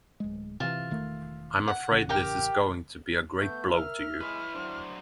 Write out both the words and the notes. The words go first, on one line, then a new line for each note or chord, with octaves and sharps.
I'm afraid this is going to be a great blow to you.
D1 G#3
C3 E3 F4 E5
E1 D#3 A3
F#5
A1 C#3
G4 A#4 G5
A3 B3 G6
A#4 E5 F6
G#3 E4 B4 C#5
F#3 D4 C5